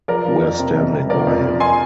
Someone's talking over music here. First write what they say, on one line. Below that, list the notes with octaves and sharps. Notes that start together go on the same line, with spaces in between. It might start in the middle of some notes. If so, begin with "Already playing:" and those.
We're standing by him.
F3 A#4 D5
F3
F2
C3
F2
C3
F3 A#4 D5
F2
F3
F2 G#5 C6